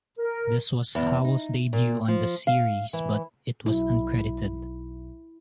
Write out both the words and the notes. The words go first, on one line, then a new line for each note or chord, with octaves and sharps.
This was Howell's debut on the series but it was uncredited.
A#4
E2
D#4
A#2
F3
F5
E3
B1 E4